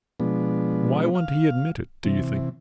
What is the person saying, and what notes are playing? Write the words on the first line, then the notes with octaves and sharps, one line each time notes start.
Why won't he admit it, do you think?
B2 F3 G#3 B3 D4
F5
C3 E3